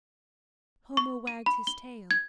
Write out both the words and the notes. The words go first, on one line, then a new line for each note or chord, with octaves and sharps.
Homo wagged his tail.
C#6
D#7
B5
G7
G#6